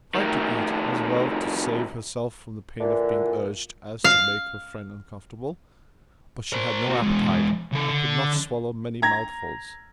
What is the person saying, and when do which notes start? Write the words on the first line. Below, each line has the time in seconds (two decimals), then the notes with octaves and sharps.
She tried to eat, as well to save herself from the pain of being urged as to make her friend comfortable; but she had no appetite, and could not swallow many mouthfuls.
0.15 A2 D#3
2.80 A#2 D3 E3
4.04 F5
6.53 A#4 C5
6.88 A#3 F#4
7.02 E2 G#3
7.72 C#3 A4
7.88 D3
9.02 A#5 G#6 A#6